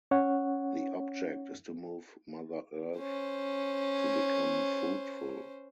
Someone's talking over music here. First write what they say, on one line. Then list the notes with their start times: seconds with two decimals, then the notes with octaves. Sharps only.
The object is to move Mother Earth to become fruitful.
0.11 C#4 C#5 F#5
2.99 C#4 C5